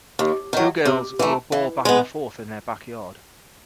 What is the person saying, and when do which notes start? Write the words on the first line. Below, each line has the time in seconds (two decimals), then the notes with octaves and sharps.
Two girls throw a ball back and forth in their backyard.
0.19 D#2
0.53 D#3 F#3
0.85 C3
1.19 E3 A3
1.52 E3
1.85 G#3 B3